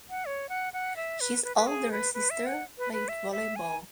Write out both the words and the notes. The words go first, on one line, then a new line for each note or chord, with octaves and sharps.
His older sister played volleyball.
F#5
C#5
F#5
F#5
E5
B4
B4
B4
G#4
B4
B4
E5
F#5
B4
B4
E5
E5
G#5